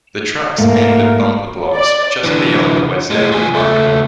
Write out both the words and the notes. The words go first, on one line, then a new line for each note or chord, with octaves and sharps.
The tracks end at bumper blocks just beyond the west end of the platform.
G#2 A3 A#3
D5
D3 E3
A2 G#3
F3 G#4
C#2 A3